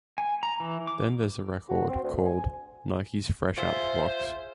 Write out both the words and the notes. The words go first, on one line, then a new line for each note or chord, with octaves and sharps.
Then there's a record called 'Nikes Fresh Out the Box.
G#5
A#5
E3
D6
F#4
C4
D2
G#5
F4 G#4 C5 E5